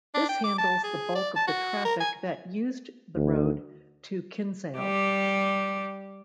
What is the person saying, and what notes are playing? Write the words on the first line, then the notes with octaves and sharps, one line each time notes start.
This handles the bulk of the traffic that used the road to Kinsale.
D4
G5
D6
A5
G#4
D5
A5
F#4
A#4
G#5
D2
G3 G4